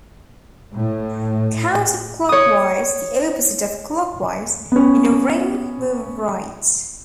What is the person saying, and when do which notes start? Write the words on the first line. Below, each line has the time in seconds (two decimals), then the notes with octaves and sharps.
Counter-clockwise - the opposite of clockwise - in a ring, move right.
0.74 A2
2.29 C#5 D#6
4.72 B3 C#4